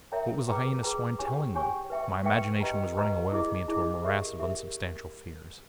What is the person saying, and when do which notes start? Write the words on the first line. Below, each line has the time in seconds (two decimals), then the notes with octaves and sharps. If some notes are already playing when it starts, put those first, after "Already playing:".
What was the Hyena-swine telling them? My imagination was running away with me into a morass of unsubstantial fears.
0.12 A#4 C#5 E5 G5 A#5
0.48 G#4 B4 G5 A#5
0.83 G#4 B4 G5 A#5
1.19 C#4 G4 C#5 G#5 C#6
1.55 C#4 G4 C#5 G#5 C#6
1.90 B4 E5 G5 C#6
2.25 B4 E5 G5 C#6
2.61 G4 B4 D#5 G5 A#5
2.97 G4 B4 D#5 G5 A#5
3.32 E4 G#4 D#5
3.68 E4 G#4 D#5
4.04 G4 A#4 E5
4.40 G4 A#4 E5